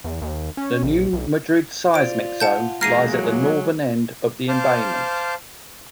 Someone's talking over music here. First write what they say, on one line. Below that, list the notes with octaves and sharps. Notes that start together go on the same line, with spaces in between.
The New Madrid Seismic Zone lies at the northern end of the embayment.
E2
D#2
C#4
A#1
B1
F4 C5 D5 D7
F#5 A5 G6
E2 G#3 A#3 A#5 F6 C7 D#7
F#3
C5 F5 A5 D6 F6 G6